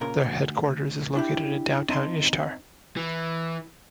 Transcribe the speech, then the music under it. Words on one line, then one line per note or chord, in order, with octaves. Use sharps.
Their headquarters is located in downtown Ishtar.
A#2 C#3 A#4
D2
D4 E4 G4
C4 D#4 E4 A5 C6
E3